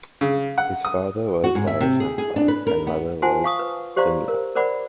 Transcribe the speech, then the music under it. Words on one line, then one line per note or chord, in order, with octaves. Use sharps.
His father was Dayashankar and mother was Vimla.
C#3
F#5
D#6
F#4
G#2
E5
C3
G#4
G#4
D4
B4
A#4
B3
F4 C5 F#5 G#5 A5 C6
F5 C#6 D#6
B4
G4 C5 D5 F5 A#5 C6
A#4
A#4 C5 D5 F#5 B5